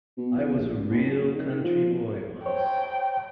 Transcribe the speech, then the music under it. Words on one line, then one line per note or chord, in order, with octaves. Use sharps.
I was a real country boy, once.
B2
E2
A#1
C#2
D#2
F#2
D#3
F3
C5 C#5 G5